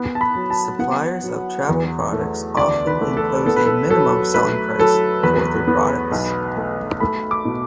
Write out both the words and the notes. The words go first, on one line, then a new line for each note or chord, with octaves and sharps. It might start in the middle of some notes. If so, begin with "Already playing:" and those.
Suppliers of travel products often impose a minimum selling price for their products.
Already playing: B3
A5
B5
F#3
A5
B3 F#5
F#3
E2
A3
D2 D5
B4
A3
A4
B3 A4
B4
A4
F#3 A4
A3 B4
F#3 A4
E2 B4
B3
B1
A3
A3 B5
D6
B2